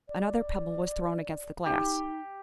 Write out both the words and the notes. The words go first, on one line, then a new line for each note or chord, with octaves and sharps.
Another pebble was thrown against the glass.
D5
D#4 G4